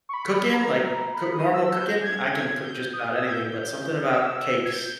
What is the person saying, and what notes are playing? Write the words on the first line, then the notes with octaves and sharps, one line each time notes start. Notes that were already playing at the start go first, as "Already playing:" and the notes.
cooking, like coo normal cooking, I can cook just about anything, but something about cakes,
C#6
B5
C#6
B5
A#5
B5
D#6
E6
G6
G#6
G#6
G6
D#6
E6
G#6
G6
D#6
E6
G#6
G6